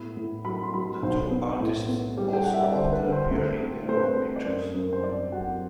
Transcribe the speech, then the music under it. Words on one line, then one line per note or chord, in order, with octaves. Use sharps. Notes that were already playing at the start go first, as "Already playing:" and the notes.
The two artists also often appear in their own "pictures".
Already playing: A2 B3 B5
A2
F#3 B5
C6
F#3 B5
B1 C5
B3
A2
B3
G3
G5
G3 F#5
E5
D5
D3 C5
B4
D3
C5
D2 C5
C4
A3 C5
B4
C5
C4
D5
F#2 C5
F#2
C5
C4 D5
F#3 F#5